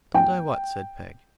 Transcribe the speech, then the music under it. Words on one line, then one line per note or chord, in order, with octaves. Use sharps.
'Don't I what?' said Peg.
G5